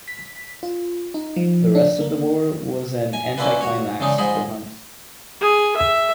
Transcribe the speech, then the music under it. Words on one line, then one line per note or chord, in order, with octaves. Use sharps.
The rest of the war was an anticlimax for Hunt.
B6
F4
D#4
F3
D4
A#3
G#5
A#3 C#4 D4 E4 F4 B4
F#4 C#5
C#3 E3 G#3 D4 D#4
G#2 F3 G#4 B5
G#4
E5